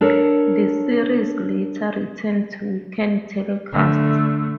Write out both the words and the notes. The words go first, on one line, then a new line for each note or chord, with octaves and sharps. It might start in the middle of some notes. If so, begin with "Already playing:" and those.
The series later returned to weekend telecasts.
D4 A4 A#4 C#5
D3 A3